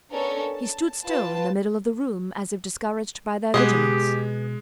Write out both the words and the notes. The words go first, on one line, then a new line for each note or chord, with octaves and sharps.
He stood still in the middle of the room as if discouraged by their vigilance.
B3 C#4 D4 A4 A#4
A5
F4 B4 G5 A5
B2 G#3 B3 G4 G#4 D#5